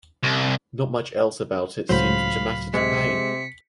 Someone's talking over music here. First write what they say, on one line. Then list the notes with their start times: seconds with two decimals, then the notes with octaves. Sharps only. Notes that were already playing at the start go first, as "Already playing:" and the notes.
Not much else about it seems to matter to Payne.
0.23 C2
1.89 C#2 A2 F#3 C5 F5 B5
2.74 C3 G#3 B6 C#7